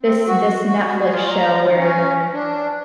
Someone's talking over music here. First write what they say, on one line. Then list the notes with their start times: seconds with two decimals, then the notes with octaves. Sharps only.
this this Netflix show where
0.03 C4
0.28 F#4
0.67 F#4
0.98 G#4
1.12 F4
1.30 A#5
1.63 D#3
1.79 C#4
2.15 E3
2.33 D4